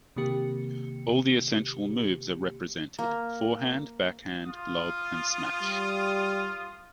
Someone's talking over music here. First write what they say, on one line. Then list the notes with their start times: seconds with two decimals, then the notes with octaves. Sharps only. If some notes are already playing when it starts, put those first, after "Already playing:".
All the essential moves are represented: forehand, backhand, lob, and smash.
0.16 C3 D#3 A#3 G4 C#7
2.99 A#3
4.47 F4 D#6
5.60 G3